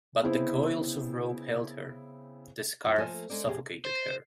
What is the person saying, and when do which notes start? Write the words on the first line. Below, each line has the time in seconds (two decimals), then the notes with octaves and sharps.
But the coils of rope held her; the scarf suffocated her.
0.23 C#3 B3 C4 E4 C5
2.84 F#2 C3 D#4 F4
2.98 F3 A3 A#3 F4 A4 G#5
3.30 G#3 C#4 A4 A#4 C5 D5
3.44 E2 A#2 A#3 G4 G#4
3.85 C5